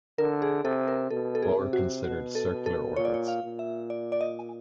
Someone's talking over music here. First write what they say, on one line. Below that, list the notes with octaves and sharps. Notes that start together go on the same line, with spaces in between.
Bohr considered circular orbits.
D3 A#4
G#4
C3 A4
A#4
B2 A4
A4
G#4
C3
F#4
B2 F#4
A4
B2
A4
A#2 C#5
D5
C#5
F5
A#2
E5
D5
D5
D#5